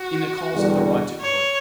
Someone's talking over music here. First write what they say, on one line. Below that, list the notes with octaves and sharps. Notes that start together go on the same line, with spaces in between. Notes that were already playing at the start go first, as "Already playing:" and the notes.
'In the cause of the right it would.
Already playing: F#4
E2 D3 G3
C#5